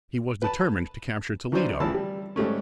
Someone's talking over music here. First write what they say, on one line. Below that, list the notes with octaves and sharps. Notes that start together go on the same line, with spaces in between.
He was determined to capture Toledo.
B4 A5 B5
E3 F#3 C#4 D4 C5
A2 C#3 E3 F3 A5 E6
G3
G#2 G3 A3 C#4